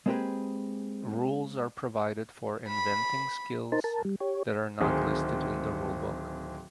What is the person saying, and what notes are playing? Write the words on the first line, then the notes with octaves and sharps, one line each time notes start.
Rules are provided for inventing skills that are not listed in the rulebook.
G#3 A#3 C4 G4 G#4 B4
B5
D#4 A#4 C5 A5
A#4 A5
G3
G4 C#5
D1 D#3 C4 G#4